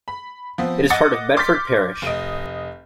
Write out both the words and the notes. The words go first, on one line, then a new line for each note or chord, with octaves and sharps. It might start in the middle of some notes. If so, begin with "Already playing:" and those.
It is part of Bedford Parish.
B5
F3 B3 C4
D#5 F#5 D6 A6 A#6 C#7
C6 D6 F6 G6 A6 B6
F1 D#5